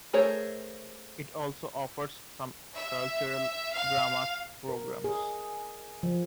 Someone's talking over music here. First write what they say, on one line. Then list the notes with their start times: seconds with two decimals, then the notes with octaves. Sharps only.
It also offers some cultural dramas programmes.
0.13 A3 G#4 A#4 C5 C#5
2.76 E5
3.74 F5
4.69 A#4
5.04 G#4
6.03 F3